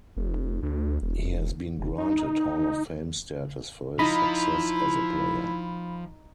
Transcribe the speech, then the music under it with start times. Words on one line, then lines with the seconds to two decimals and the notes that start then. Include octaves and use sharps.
He has been granted Hall of Fame Status for his success as a player.
0.17 F1
0.63 D2
1.02 E1
1.79 F1
1.98 D#4
3.99 F3 D#4 E4 B5